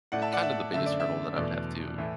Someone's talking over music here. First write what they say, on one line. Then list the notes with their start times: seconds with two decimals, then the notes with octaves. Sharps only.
kind of the biggest hurdle that I would have to,
0.12 A2 A3 D5 F#5
0.22 E5 A5
0.33 D5 F#5
0.43 E5
0.74 F#2 D3 A3 E5
0.86 D5
1.00 E5
1.36 E2 B2 A3 D5
1.98 A2 E3 A3